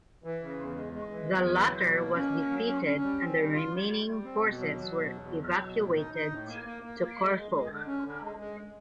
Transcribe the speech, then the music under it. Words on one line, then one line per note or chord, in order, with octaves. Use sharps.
The latter was defeated and the remaining forces were evacuated to Corfu.
E3
C#3
E2
G#3
G#3
E3
E2
E3
F#3
B2
A#3
C#4
A#3
F#3
C#4
C#4
G3
C4
G3
F4
G3
G3
G3
C4
B2
F#3
F#3
B2
E2
F#3
F#3
B2
A2
D#4
D#4
A2
A#3
A#3
A#3
A#3
G#3
G#3
G#3
D3
C#4
D3
G#3
G#3